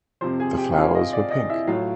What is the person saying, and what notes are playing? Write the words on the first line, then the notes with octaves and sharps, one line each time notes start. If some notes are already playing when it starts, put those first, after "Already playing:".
The flowers were pink.
F2 C3 F3 C5 C6
G#4 G#5
G4 G5
F4 F5
D#5
D5
D#5
E4 E5
A2 F#3 F4 F5